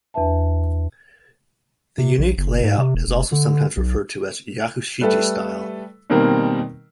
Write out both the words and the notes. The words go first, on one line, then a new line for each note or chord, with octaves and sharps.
The unique layout is also sometimes referred to as "yakushiji-style".
E2 D4 B4 E5 A5
C3
A#1
F#1
G#2
C3
E1
F1
D3
B1
G3 A3 A4 B4
B2 D#3 G3 A#3 C4 A#4